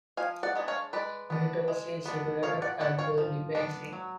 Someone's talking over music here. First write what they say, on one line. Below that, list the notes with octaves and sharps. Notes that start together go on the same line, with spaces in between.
Myrtos is situated at the Libyan Sea.
F3 F5 G#5
D5 F#5
G#3 B3 D4
C#5 F5
G#3 B4 D5
B3 D4
G#3
B3 D4
F3 C#5 F5
D5 F#5
B3 D4 D5 F#5
C#5 F5
F3
B3 D4
F#3